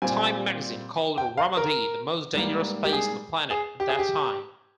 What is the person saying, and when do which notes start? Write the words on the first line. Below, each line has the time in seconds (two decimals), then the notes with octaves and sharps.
"Time" magazine called Ramadi the most dangerous place on the planet at that time.
0.02 A#2 G3 C4 G#5
1.18 G5
1.37 F5
1.57 A#4
2.34 G#2 G3 A#3
2.84 G4
2.93 G#4
3.51 G#4
3.80 G4
3.89 G#4
3.99 G4